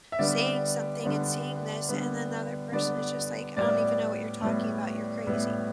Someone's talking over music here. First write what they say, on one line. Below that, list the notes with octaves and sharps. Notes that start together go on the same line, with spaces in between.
saying something and seeing this, and then the other person is just like, "I don't even know what you're talking about. You're crazy,"
E5
D3 G3 B3 D5
D3 G3 B3
D3 G3 B3
D3 G3 B3 D5
A2 G3 B3 D5
A2 G3 B3
A2 G3 B3